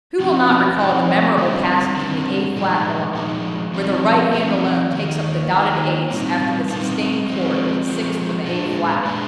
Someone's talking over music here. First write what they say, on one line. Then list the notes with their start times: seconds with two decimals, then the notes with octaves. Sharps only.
Who will not recall the memorable passage in the A flat Ballade, where the right hand alone takes up the dotted eighths after the sustained chord of the sixth of A flat?
0.20 F3 C4 D#4
0.78 F3 C4 D#4
1.37 D3 G3 C4
1.96 D3 G3 C4
2.56 A#2 F3 G#3 D#4
3.14 A#2 F3 G#3 D#4
3.74 F3 C4 D#4
4.33 F3 C4 D#4
4.92 D#3 A#3 D#4
5.51 D#3 A#3 D#4
6.10 A#2 G3 C4 D#4
6.69 A#2 G3 C4 D#4
7.28 F3 G#3 C4
7.87 F3 G#3 C4
8.46 A#2 G#3 D4
9.05 A#2 G#3 D4